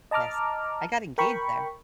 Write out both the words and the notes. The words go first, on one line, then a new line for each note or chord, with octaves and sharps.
Yes, I got engaged there.
D#5 A5 A#5 D6 F6
A#4 G5 B5 C#6